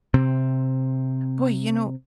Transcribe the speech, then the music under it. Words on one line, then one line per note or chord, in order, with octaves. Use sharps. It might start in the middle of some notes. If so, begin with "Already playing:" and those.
Boy, you know
C3 C4